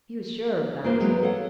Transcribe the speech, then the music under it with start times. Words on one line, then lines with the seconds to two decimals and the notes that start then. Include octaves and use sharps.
He was sure of that.
0.84 A#3 D4 F4 C5
1.00 E3 F#3 G#3 B3 C4
1.23 A4 C#5 F5 F#5